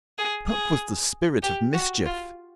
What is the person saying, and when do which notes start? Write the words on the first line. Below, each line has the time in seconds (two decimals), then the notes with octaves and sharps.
Puck was the spirit of mischief.
0.18 G#4
0.49 G#4
1.43 G4
1.74 F#4
2.05 F4